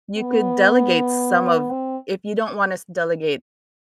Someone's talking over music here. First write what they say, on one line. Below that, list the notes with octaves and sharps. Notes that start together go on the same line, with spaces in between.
you could delegate some of if you don't want us delegate
B3
C4